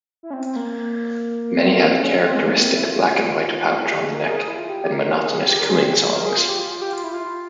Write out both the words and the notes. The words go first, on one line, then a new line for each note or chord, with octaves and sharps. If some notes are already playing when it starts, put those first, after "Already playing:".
Many have a characteristic black-and-white patch on the neck, and monotonous cooing songs.
E4
C#4
C4
C4
A#3
C4
A#3
C4
C#4
C4
C4
G#3
A#3
C4
E4
F4
E4
G4
G#4
A#4
G#4
A#4
G#4
E4
F4
G4
G4
A#4
A#4
A#4
G#4
G4
G4
A#4
G#4
G4
G#4
G#4
A#4
G#4
F4
G4
F4
F4
G4
F4
E4
F4